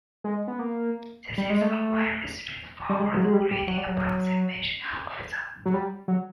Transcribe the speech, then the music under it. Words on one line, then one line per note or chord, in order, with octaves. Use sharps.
This is a very straightforward greedy approximation algorithm.
G#3
B3
A#3
G3
G#3
A3
G3
G#3
F#3
G#3
G3
G3
F#3
G3
F#3
F#3
G3
F#3